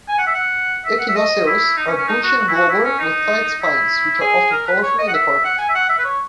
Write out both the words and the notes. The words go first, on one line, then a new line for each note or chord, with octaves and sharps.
"Echinocereus" are bushy and globular with tight spines which are often colorful and decorative.
G#5
F#5
E5
F#5
E5
F#5
E5
D#5
E4
D#4
C#4
C#4
D#4
F#4
F#4
E4
F#4
E4
C#4
D#4
E4
G#4
A#4
B4
C#5
D#5
F#5
E5
F#5
G#5
E5
F#5
E5
B4
C#5